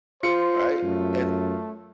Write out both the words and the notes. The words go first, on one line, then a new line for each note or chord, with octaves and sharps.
right? And
F4 C5 C#7
F#2 A3